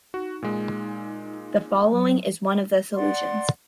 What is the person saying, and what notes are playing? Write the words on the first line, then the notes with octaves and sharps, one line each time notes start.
The following is one of the solutions.
D#4 F#4
A#2 G#3
F#3
D5 F#5 C6